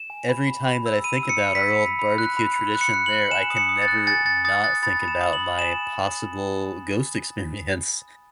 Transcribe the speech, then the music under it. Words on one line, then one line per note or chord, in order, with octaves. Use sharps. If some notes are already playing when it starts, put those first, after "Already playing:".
every time that I think about our old barbecue tradition there, I can never not think about my possible ghost experience.
Already playing: E7
G#5
B5
B5
B5
E6
B5 D#7
E6
C#7
B5
B6
E6
B5
B5
F#6
B5
B5
F#6
C#7
F#6
F#7
F#6
G#5 E7
D#6
C#7
D#6
A6
F#6
G#5 A6
F#6 A6
D#6 A6
F#6 A6
B5 A6
B5
E7
D#6
F#7
B5
G#5 E7